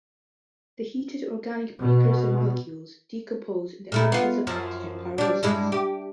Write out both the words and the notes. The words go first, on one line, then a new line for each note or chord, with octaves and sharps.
The heated organic precursor molecules decompose in the absence of oxygen - pyrolysis.
B2
A#2 A3 E4
B3 F4
F#2 F3
G3 D4
G2 G#3 E4
G4